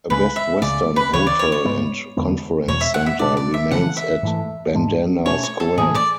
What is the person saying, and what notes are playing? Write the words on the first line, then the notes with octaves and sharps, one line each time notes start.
A Best Western hotel and conference center remains at Bandana Square.
C#2 C#3 G#3 C#4 B4
E5
C#2 C#3 G#3 D5
B4
D2 C#3 E3 C#5
D5
C#5
C#5
G#2 G#3 B3
E2 D3 G#3 B3
E2 B2 G#3 C#5
E5
F#5
E5
B2 G#3 D4 D5
D5
E5
C#3 E3 A3 F#5
E5
G#2 E3 A3
G#2 G#3 D4
B2 A3 C#4 C#5
C#5
A4
A2 E3 A3 G#4
D5